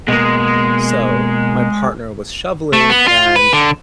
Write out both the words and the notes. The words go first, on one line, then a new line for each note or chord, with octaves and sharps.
So my partner was shoveling, and
B2 G#3 A#3
A3
B3
F4
B4
D3